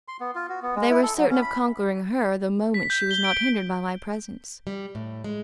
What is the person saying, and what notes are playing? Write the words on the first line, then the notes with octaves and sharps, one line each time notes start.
They were certain of conquering her the moment she was not hindered by my presence.
C6
B3
F4
F#4
B3
G#3
E4
A4
F#3
C#4
B5
B6
G6
G7
D7
G3
A2
G#3